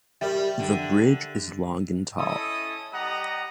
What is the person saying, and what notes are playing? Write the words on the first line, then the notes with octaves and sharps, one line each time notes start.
The bridge is long and tall.
G3 G4 A#4 E5
D3
C#4 E4 A4 D#5 D#6
G3 G4 D#5 F#5 A#5 D#6